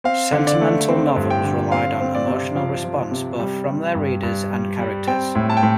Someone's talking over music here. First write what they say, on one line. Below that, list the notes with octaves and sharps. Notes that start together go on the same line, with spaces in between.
Sentimental novels relied on emotional response, both from their readers and characters.
C4 F5
D3
D5
A3
C4
G2
G5
D3
C4 F5
C4
D5
C3
F3 F5
F3
C3
G3
G3
G2
G2
G3
G3
C4 G5
A2
A5
G5
A2